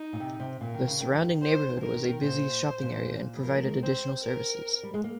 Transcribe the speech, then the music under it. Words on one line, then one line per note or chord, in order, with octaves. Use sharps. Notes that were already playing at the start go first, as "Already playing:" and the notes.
The surrounding neighborhood was a busy shopping area and provided additional services.
Already playing: D#4
A#2
C3
C3
A#2 A#4
D#3
C#3
D#3
F3
D#3
C5
F3
D#3 A#4
D#3
D#3
A#2 C5
A#2
G3
F3 A#4
A#3
G#3
C4 C5
A#4
G3
G#3
A#3